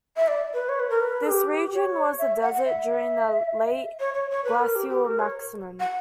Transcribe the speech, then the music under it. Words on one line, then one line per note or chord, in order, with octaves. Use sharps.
This region was a desert during the Late Glacial Maximum.
E5
D5
B4
C#5
B4
A#4
B4
G4
C#5
E5
F#5
F#5
E5
C#5
C#5
C#5
B4
A#4
G4
G4
A#4
C#5
F#5